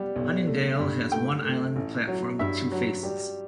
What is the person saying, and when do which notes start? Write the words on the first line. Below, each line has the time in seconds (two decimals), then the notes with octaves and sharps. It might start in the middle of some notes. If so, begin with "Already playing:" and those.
Huntingdale has one island platform with two faces.
Already playing: G3 B3
0.16 B1
0.47 A3
0.79 G2
1.12 A3 G5
1.43 A3
1.76 A1
2.07 F#3
2.39 G2 E5
2.72 F#3
3.03 G3